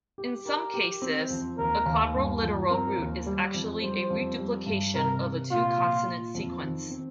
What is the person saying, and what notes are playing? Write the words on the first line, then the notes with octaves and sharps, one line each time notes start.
In some cases, a quadriliteral root is actually a reduplication of a two-consonant sequence.
G4
G4 A#4
G4
C4
F2
D#2 A#4
D#2
G2
F3
C4 A#4
D#2
G3
F2
G3 C5
F2
G3
G2
C3 A#4
C3
A#2 F4
A#2
F4
F2
D#3
C4